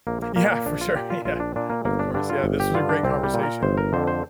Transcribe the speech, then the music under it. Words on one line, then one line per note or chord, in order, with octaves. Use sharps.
Yeah, for sure, yeah. Of course, yeah, this was a great conversation.
A#1 A#3
A#3
A#2 A#3
A#3
A#1 D4
F4
A#2 G4
F4
A#1 F4
D4
A#2 D4
A#3
G1 A#3
D4
G2 D3 D4
F4
G1
G4
G2 D3 F4
D4
C2 C4
G3
A#2
A#4
G1 C5
A#4
F2 D3 C5
C5